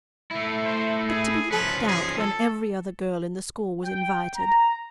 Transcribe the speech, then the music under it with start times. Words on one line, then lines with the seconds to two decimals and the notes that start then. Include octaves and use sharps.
But to be left out when every other girl in the school was invited!
0.31 A3 E4
0.64 C5
1.09 G#4
1.51 F3 C#4 B4
1.87 G#4
2.18 A4
3.84 G5
4.36 A#5